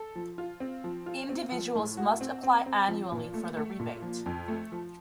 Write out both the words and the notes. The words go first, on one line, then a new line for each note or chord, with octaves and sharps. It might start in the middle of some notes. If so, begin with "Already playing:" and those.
Individuals must apply annually for the rebate.
Already playing: A4
F3
F4
C4
F3
F4
C4
F3
A2
F#4
C4
C4
C4
F3
A#2
A3
A3
A#2
F3
F2
A3
F3